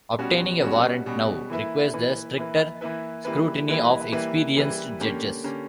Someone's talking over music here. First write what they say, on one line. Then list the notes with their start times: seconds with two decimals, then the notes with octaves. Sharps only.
Obtaining a warrant now requires the stricter scrutiny of experienced judges.
0.19 B2 G3 C#4 F#4
0.62 B2 G3 C#4 F#4
1.06 B2 G3 C#4 F#4
1.50 E3 A#3 E4 B4
1.93 E3 A#3 E4 B4
2.37 E3 A#3 E4 B4
2.81 E3 A#3 E4 B4
3.25 E3 G3 A#3 E4 B4
3.68 E3 G3 A#3 E4 B4
4.12 E3 G3 A#3 E4 B4
4.57 E3 G3 A#3 E4 B4
5.00 D3 A#3 C#4 G4
5.44 D3 A#3 C#4 G4